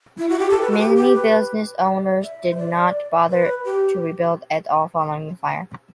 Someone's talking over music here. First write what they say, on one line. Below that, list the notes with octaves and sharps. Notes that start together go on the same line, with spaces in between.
Many business owners did not bother to rebuild at all following the fire.
E4
F#4
G4
A4
B4
F#4
G4
G4
B4
D5
E5
C5
D5
B4
G4